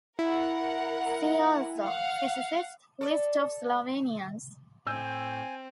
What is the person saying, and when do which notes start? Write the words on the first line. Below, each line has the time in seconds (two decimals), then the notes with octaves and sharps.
See also: Physicist, List of Slovenians.
0.19 E4 A#4 F#5
1.82 F5 F#5
3.01 A4 D5
4.87 A2 C4 G#5 E6 G6